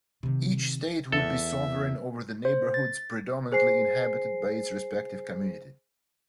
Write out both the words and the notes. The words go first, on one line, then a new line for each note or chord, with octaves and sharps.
Each state would be sovereign over the neighborhoods predominately inhabited by its respective community.
C3 D#3
E2 A4 E5
C5
A6
G#4 C5 G#5 C7